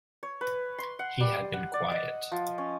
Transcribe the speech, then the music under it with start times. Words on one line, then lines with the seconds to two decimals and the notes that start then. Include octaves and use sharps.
He had been quiet.
0.23 C#5
0.41 B4
0.78 C6
0.99 F#5
1.20 G3
1.53 F#5
1.74 D5
1.92 D#5
2.32 F3
2.58 C#4